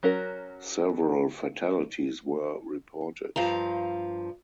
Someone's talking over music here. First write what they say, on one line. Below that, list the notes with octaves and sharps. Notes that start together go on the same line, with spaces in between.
Several fatalities were reported.
F#3 C#4 F#4 A#4
G2 F3 F5 A#5